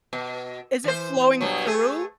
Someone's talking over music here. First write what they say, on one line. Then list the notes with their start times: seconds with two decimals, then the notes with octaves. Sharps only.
is it flowing through?
0.13 B2
0.84 E3 C5
1.41 G2 B2 F#3
1.67 A3 G#4